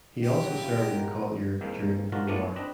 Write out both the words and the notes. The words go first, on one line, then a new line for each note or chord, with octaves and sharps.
He also served in the collier during the war.
G4
F#3
E4 F4
G#3 B3 A#4
C2 G#2 D#3 A#3
D4 F4 F#4 A#4
A2 F3 A3 B3 D4 D5
C4 D4 B4 D#5